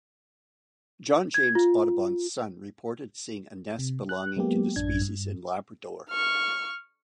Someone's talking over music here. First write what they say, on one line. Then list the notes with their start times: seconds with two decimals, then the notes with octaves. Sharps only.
John James Audubon's son reported seeing a nest belonging to the species in Labrador.
1.34 G#6
1.55 F4
3.79 C3
4.09 F#6
4.37 F#3 G#3 A#3 B3 G4
4.76 A1 F#2 D4 G#6
5.01 G2
6.10 C#6 F6